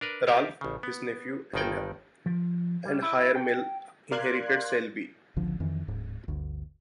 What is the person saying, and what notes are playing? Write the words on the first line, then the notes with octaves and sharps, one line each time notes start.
Ralph, his nephew and heir male inherited Saleby.
D4 A#4 B4
F4 G4 A#4 E5 G5
A1 C#3
B3
G1 G2 D#3 D#4 D5 G5
F3
G3
E4
G5
A#4 D5 F5 C6 F#6 G#6
G#1 C#2 D3 F3
F2 D#3 E3
D1 G#2
G1 D2